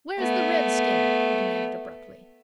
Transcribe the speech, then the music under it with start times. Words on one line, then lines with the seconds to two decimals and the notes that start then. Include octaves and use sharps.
"Where is the redskin?" he demanded abruptly.
0.19 A3 B3